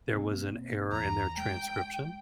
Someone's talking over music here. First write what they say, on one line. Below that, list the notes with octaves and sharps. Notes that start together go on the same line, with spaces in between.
there was an error in their transcription?
B2 A#3 C4
E2 A#5
G#3 G5